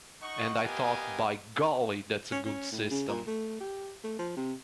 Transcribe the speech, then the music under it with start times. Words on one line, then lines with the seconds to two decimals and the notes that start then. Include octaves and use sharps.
And, I thought, 'by golly, that's a good system.
0.22 D#4 D#5 F#5 C#6
0.64 B3 G4 A#4 D#5 F5 G#5
2.32 C#4
2.45 C#4
2.72 A2
2.90 C#3
3.08 A#2
3.27 A3
3.60 G4
4.04 A3
4.19 F3
4.36 C3